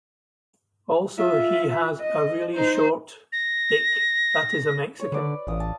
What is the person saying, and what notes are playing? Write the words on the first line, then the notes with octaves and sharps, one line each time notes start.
Also he has a really short d!ck that is a mexican.
F4 E5
D#5
D#4 C5
A#6
C#5
D3 B4 D5
A1 F5 D#6
A5